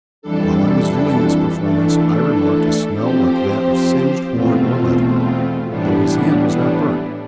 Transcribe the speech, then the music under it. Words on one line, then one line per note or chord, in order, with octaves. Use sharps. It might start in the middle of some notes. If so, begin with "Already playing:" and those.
While I was viewing this performance, I remarked a smell like that of singed horn or leather, though his hand was not burnt.
F2 E3 G3 D4 A4
E3 A3 D4 A4
F3 C4 G4 C5
E2 B2 A3 C4 F4
A2 E3 G3 B3 D4